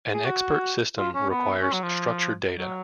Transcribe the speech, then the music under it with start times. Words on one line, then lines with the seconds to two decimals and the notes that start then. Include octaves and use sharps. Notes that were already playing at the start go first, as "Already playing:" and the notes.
An expert system requires structured data.
0.14 G#4
0.24 F#4
0.98 F4
1.15 C#4
1.30 B3
1.62 C#4
1.73 F#3
1.83 F3
2.56 F#3